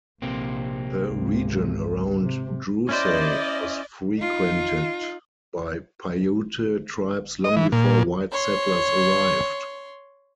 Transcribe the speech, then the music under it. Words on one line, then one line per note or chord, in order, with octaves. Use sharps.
The region around Drewsey was frequented by Paiute tribes long before white settlers arrived.
A#1 C3 A#3 C4
G#1 C#2
C3
C#4 E4 C5 D5 D#5
D#4 F4
D#5
E3
A#2
C#5 C6